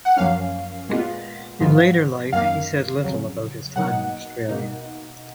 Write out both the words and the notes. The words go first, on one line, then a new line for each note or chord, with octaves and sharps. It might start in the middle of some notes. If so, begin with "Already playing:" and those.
In later life he said little about his time in Australia.
F#5
F#2 F3 A#3 C#4 F5
A#2 G#3 B3 F4
G#2 F3 B3 F4
F#2 D#3 A#3 F5
F2 C#3 F#3
B2 F#3 A#3 D#4 F#5
B2 A#3 D#4